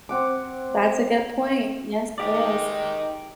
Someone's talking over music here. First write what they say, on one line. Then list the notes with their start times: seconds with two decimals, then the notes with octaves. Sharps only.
That's a good point. Yes, it is.
0.09 C4 F#5 D6
2.18 D#3 G#3 D#4 G4 D5